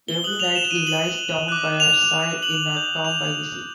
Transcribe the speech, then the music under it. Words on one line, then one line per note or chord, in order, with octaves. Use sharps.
Every night he lies down by her side in her tomb by the sea.
G7
D#6 F#6 F#7
F7
E7
D#7
F#7
D6 F#6
F7
F#7
D#6 G6
F7